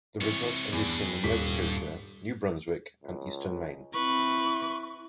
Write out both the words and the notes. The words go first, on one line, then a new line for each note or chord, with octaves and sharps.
The results can be seen in Nova Scotia, New Brunswick, and eastern Maine.
C3 E3 C#5
E2 G2
D#1 B6
C#2
C4 E4 B4 C#6